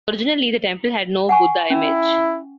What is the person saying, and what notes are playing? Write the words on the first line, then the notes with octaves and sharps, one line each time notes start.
Originally the temple had no Buddha image.
F#5 G#5 C#6
C#4 E4